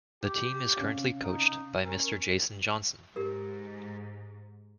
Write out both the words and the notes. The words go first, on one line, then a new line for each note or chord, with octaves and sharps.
The team is currently coached by Mr. Jason Johnson.
G4
C3 C#4 F5
D#4
C#4 A#4
G#2 G4 A#4